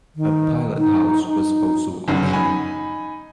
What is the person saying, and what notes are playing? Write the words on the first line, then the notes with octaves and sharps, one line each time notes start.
A pilothouse was also optional.
D#3
D#4
D#4
G1 F#2 C#3
D#4 G#5 B5